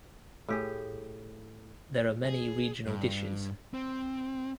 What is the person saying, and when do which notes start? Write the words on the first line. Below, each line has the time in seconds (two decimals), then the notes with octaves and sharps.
There are many regional dishes.
0.48 A2 G4 G#4
2.25 G#4
2.86 G2
3.74 C4